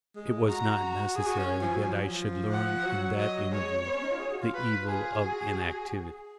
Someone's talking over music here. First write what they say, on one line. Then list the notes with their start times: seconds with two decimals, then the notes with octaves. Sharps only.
It was not necessary that I should learn in that interview the evil of inactivity.
0.15 G#3
0.49 F#4 A#5
1.16 G#4 G#5
1.27 F#4
1.38 C#4
1.61 F3
1.73 F#3
1.84 F3
1.94 F#3
2.07 F3
2.51 F#5
2.84 F#3
3.19 D#5
3.52 G#3 C#5
3.86 B3
3.94 C#4
4.04 D#4
4.11 F4
4.19 G#4
4.32 F#4
4.42 F4
4.54 F4 B4
4.88 G#4
5.22 F#4
5.89 G#4